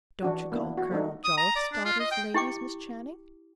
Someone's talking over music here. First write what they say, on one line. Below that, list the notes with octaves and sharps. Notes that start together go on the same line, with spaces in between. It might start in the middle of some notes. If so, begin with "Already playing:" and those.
"Don't you call Colonel Jolliffe's daughters ladies, Miss Channing?"
E3 D4 F#4
A#3 B3 D4 E4
F#4
G3 A3 D4 D#4
D#6
A#5
D5
D4
F4
D#5
G5
E4 G4 G5 D6